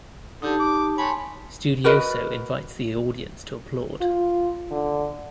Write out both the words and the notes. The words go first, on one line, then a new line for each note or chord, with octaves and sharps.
Studioso invites the audience to applaud.
D3 D#4 G4 A5
D6
C#5 G#5 A5 B5 C6
F#4 A#4 B4 D#5
F4
D3